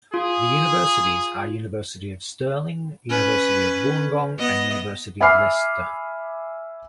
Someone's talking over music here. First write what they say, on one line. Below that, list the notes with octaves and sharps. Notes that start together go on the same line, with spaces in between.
The universities are University of Stirling, University of Wollongong, and University of Leicester.
F4 G#4
C#4 B4
B3 D#5
E5 G#5 B5 D6 F6 C7